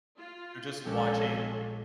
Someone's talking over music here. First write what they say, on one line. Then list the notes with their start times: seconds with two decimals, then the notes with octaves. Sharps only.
They're just watching
0.17 F4
0.84 A#1 G#3 C#4 G4 A4